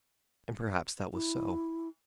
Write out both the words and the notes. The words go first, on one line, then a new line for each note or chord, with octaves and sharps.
And perhaps that was so.
E4